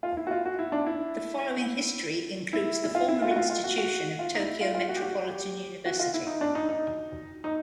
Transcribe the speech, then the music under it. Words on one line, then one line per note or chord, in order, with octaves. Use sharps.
The following history includes the former institution of Tokyo Metropolitan University.
F4
E4
F#4
F4
F#4
E4
D4
E4
E4
E4
F4
E4
F4
F#4
F4
F4
F#4
F#4
F4
D#4
E4
F4
F4
F#4
G4
F#4
G4
F#4
F4
E4
D#4
D4
D#4
D#4
D#4